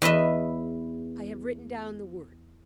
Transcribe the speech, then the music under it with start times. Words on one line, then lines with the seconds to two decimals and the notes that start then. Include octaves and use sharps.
I have written down the words.
0.02 E2 B4 D#5 E5